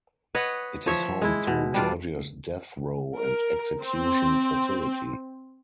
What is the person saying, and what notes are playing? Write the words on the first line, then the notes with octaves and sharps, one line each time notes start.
It is home to Georgia's death row and execution facility.
B4 C#5 D#5 F#5
F3 C#5 E5
G#3 E4
B2
G3 D4 F4
A#4
C4